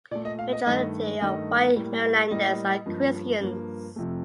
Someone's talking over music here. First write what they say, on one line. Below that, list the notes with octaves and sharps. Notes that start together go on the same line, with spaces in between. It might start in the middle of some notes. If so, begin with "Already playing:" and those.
The majority of white Marylanders are Christians.
A#2 A3 D5
D#5
F5
D#5
G2 D#3 A3 D#5
G2 D#3 A3 D#5
A2 G3 A#3
A2 G3 A#3 D#5
G2 F3 A#3
G2 F3 A#3
F2 C3 F3 A3